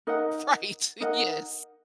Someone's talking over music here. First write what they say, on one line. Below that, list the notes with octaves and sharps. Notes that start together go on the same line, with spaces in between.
Right, yes.
D#4 A#4 D#5 F#5
D#4 A#4 D#5 F#5